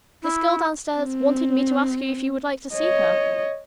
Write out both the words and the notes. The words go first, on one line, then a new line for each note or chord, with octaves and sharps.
This girl down-stairs wanted me to ask you, if you would like to see her.'
E4
C4
C#5 D#5